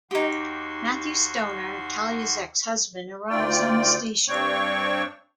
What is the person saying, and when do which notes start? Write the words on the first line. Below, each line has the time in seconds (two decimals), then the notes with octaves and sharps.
Matthew Stoner, Talia's ex-husband, arrives on the station.
0.11 D#2 D#4 F#4 G4 C6
3.30 D2 D#3 F4 D5 G5
4.28 G2 C4 D4 C#5 G5 C#6